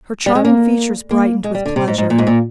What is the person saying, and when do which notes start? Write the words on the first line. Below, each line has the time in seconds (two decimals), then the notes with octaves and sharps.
Her charming features brightened with pleasure.
0.26 G3
0.35 G#3
0.45 A#3
1.11 A#3
1.44 G#3
1.55 G3
1.65 D3
1.76 C3
1.88 G#2
1.98 G#2
2.10 A#2
2.18 G#2
2.27 A#2